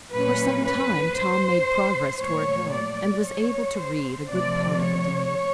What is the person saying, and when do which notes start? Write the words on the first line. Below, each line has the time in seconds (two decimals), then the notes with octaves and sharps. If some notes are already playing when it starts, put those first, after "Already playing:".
For some time Tom made progress toward health, and was able to read a good part of the day.
0.12 A#2 F#3 A#3 C#4 B4
0.64 B4
1.16 C5
2.20 A#2 F#3 A3 C#5
2.73 D5
3.25 C#5
3.78 C5
4.29 C3 F3 A3 C4 D5
4.82 C#5